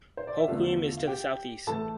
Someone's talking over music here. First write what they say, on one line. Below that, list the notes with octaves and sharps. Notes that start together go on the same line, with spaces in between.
Hoquiam is to the southeast.
C5
D5
E5
E2 D3 A3 F4 F5
F5
G4 G5
A2 E3 A3 A4 A5